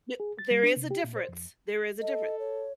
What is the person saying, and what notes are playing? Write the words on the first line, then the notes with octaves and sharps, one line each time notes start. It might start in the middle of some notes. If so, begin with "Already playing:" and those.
The there is a difference, there is a difference.
G#4
A6
G3
D4
C3
G4
A#2
C5
F2
A4 D#5
C#5